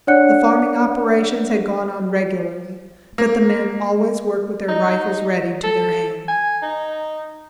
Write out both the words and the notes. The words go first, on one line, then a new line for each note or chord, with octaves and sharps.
The farming operations had gone on regularly, but the men always worked with their rifles ready to their hand.
D4 C#5 D5 F#5 F#6 C#7
A#3
D#4
A4
G#5
D#4